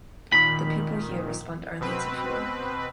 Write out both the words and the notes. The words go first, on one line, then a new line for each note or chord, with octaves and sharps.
The people here respond only to fear.
A#2 D#3 B5
B2 C4 B4